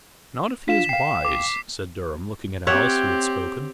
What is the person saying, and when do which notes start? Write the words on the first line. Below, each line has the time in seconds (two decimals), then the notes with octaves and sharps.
"Not if he is wise," said Durham, looking at Alice, who had spoken.
0.68 D4 F4 F5 B6 E7
0.89 F5 G5 C7
1.25 D6
2.67 C4 G4 C#5 E5 F#5